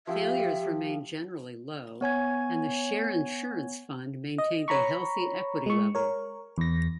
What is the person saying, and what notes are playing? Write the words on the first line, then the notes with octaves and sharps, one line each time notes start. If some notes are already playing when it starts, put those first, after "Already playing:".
Failures remained generally low, and the Share Insurance Fund maintained a healthy equity level.
F3 G4 E5 G5 E6
B3 C#5 G#5 G#6
D#5
C#5 A#5 B5 C#6
G#3 C#6
A#4 C#5
E2 A#6